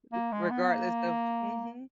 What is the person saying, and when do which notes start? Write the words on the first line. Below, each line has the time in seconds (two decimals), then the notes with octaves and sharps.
r regardless of mhm.
0.13 A#3
0.32 G#3
0.51 B3
0.71 A#3